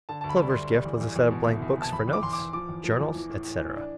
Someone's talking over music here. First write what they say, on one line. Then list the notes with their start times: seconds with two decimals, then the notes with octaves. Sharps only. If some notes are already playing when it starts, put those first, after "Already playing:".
Clover's gift was a set of blank books for notes, journals, etc.
0.09 D3 A5
0.21 D2 A5
0.29 B5
0.40 G3
0.50 C6
0.55 D2
0.70 G3
0.85 E2
1.01 E2
1.16 E2
1.31 B2
1.47 C2
1.62 C2
1.77 C2 A5
1.92 E2 B5
2.08 E2
2.13 D6
2.23 E2 C6
2.33 D6
2.38 E2
2.53 F3 D6
2.69 E2
2.84 F3
2.99 E2
3.15 E3
3.30 A2
3.45 A2
3.60 E3
3.76 D4